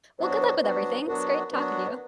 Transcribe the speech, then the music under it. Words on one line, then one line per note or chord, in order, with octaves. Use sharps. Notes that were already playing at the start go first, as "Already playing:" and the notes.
well, good luck with everything. It's great talking to you.
F#3 B3 D4 F#4 C5
C#5
C5
B4
F#3 B3 D4 F#4
F#3 B3 D4 F#4 A#4
F#3 B3 D4 F#4 B4